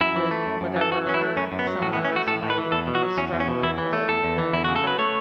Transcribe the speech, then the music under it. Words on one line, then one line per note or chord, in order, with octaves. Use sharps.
with whatever someone else might be struggling with, and
F#2 E4
E3
A3
F#2
F#2
E3
A4
F#2 F#4
F#3 C#4
E4
A3
F#2 C#4
F#2
B3
F#3
A2 F#4
B3
E3
C#4
A3 F#4
A2 A4
A2
B4
E3
E2 A4
B2
F#4
F#3
E2 C#4
E2
C#4
B2
E2 E4
E3
A3
E2 A4
E2
E3
E2 E4
C#3 F#4
A4
F#3 B4
A3 C#5